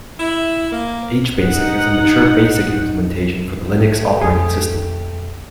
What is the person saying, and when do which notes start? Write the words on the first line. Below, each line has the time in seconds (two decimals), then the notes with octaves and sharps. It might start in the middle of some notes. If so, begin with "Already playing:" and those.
Hbasic is a mature Basic implementation for the Linux operating system.
0.19 E4
0.72 A#3
1.36 D#4 F#5
3.64 A3 G4
4.21 F2 G#4